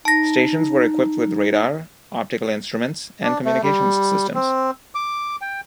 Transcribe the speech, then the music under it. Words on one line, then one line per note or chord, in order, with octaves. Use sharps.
Stations were equipped with radar, optical instruments, and communications systems.
D#4 A5 A#6
D4
A3
G3
C4
D6
G5